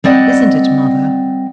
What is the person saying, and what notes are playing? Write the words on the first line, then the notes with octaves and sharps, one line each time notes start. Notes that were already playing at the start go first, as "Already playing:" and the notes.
Isn't it, mother?'
G3 C4 D5 D#5 F#5